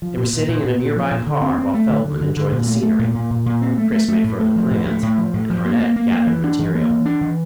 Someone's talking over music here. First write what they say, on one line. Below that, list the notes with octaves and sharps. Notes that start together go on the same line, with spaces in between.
They were sitting in a nearby car while Feldman enjoyed the scenery, Chris made further plans, and Harnett gathered material.
F3
A#2
A#2
A#2
A#2
A#2
F3
A#2
D3
C4
C4
A3
D3
D3
D3
D3
A#2
A3
A3
A#2
A#2
A#2
A#2
C4
A3
A3
A3
A2
A3
F3
A2
A3
A2
F3
A2
F3
A#3
A#3
A#3
A#3
E3
D4
E3
A#3
E3
D4
E3